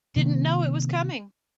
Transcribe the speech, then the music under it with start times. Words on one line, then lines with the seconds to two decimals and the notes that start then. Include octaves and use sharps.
Didn't know it was coming.
0.16 C3 D#3 A#3